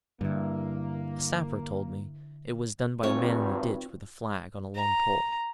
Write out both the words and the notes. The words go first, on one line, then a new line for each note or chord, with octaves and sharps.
A sapper told me it was done by a man in a ditch with a flag on a long pole.
G2 D3 A#3 E4
G#1 G2 C4 F4 C#5
A#5